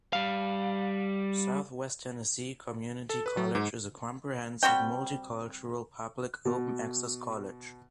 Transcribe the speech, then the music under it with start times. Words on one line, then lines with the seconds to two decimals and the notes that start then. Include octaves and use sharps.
Southwest Tennessee Community College is a comprehensive, multicultural, public, open-access college.
0.13 G3 F5
3.10 A4
3.26 B4
3.37 F#3
3.55 G#2
4.63 G3 C4 F#4 G5
6.45 B2